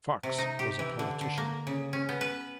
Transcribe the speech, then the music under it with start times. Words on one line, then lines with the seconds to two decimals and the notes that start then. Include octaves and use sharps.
Fox was a politician.
0.23 C3
0.38 D#4
0.59 G4
0.79 E3
0.99 D3
1.21 D3
1.38 A#3
1.67 C#3
1.93 C#4
2.09 B3
2.21 B4